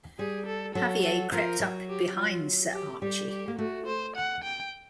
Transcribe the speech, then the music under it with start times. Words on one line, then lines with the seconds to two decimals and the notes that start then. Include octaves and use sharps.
Xavier crept up behind Sir Archie.
0.19 G3 G#4
0.46 A4
0.75 F#3 A4
1.03 A4
1.32 F3 A#4
1.60 F#3
1.89 G4
2.16 F4
2.74 G4
3.02 G3 G4
3.31 G4
3.48 A#3
3.59 A3 F#4
3.86 C5
4.16 F#5
4.44 G5